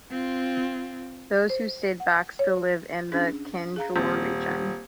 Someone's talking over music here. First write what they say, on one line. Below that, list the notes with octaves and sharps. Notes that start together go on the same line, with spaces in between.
Those who stayed back still live in the Kanjoor region.
C4 F4
C5
F#5
C#5
C#4 D4 G#4
G#4 F5 A#5
D#1 C4